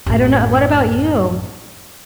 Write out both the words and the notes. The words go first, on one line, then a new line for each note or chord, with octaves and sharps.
I don't know What about you?
A1 F#2